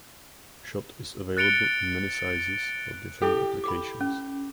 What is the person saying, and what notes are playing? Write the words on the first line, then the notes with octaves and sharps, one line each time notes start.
Shot is available in many sizes for different applications.
F#6 A6 C#7 D7 F7 G7
E4 G4 A4
B5 D6
C#4